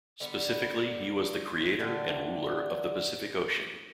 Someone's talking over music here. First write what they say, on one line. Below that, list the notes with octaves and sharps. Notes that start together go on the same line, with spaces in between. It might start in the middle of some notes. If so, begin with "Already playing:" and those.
Specifically, he was the creator and ruler of the Pacific Ocean.
D3 G3 B3
D3 A3 D4 G4